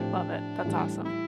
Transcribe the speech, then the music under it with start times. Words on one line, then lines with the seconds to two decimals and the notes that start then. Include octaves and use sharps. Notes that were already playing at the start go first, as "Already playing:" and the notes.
Love it. That's awesome.
Already playing: A2 F3 C4 D4 G4
0.64 A2 E3 G3
1.04 E4